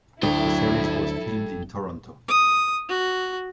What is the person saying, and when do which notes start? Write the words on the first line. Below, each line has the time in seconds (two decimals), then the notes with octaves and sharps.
The series was filmed in Toronto.
0.23 D2 F#3 E4 A4 G5
2.28 D#6
2.89 F#4